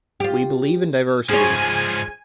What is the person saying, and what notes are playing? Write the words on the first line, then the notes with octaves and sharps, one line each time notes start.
We believe in diversity.
F4 G4
G#2 F3 G#4 C#5 G#5